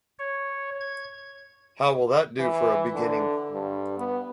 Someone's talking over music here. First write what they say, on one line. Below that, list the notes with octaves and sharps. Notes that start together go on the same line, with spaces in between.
How will that do for a beginning?
C#5
G#6
E3
D3
G2
B3